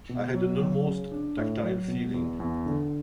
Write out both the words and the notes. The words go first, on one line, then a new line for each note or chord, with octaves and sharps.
I had an almost tactile feeling.
B2
F#3
F#3
C#3
D4
A2
F#3
B2
E2
E2
D3